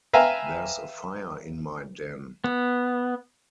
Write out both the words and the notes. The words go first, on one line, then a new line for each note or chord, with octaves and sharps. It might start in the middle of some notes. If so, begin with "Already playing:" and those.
There's a fire in my den.
B4 E5 F5 G5 G#5 A#5
B3